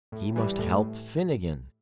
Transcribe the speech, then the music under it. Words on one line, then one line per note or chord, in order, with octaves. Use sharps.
He must help Finnegan.
A2
E3 G3
A2